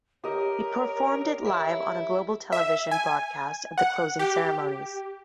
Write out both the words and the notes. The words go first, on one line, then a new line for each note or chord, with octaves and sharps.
He performed it live on a global television broadcast at the closing ceremonies.
G4 A#4 C#5 D#5
E5 B5
E5
G#5
F#5
G4